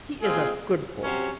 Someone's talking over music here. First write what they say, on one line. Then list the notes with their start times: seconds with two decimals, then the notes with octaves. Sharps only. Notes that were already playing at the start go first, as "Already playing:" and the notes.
He is a good boy.
0.22 A#2 G#3 C4 F4 G#4
1.01 C3 F#3 C#4